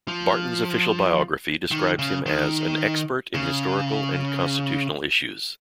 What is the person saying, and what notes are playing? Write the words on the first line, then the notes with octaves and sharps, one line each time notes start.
Barton's official biography describes him as "an expert in historical and constitutional issues".
F3
D#3
C#3
D#3
C#3